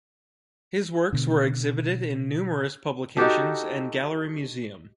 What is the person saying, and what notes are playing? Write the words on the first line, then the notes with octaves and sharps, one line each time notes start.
His works were exhibited in numerous publications and gallery museum.
B2 D3
D#4 F#4 G4 A4